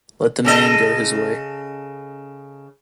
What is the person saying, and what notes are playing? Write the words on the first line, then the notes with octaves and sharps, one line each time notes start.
Let the man go his way'.
C#3 A4 D#5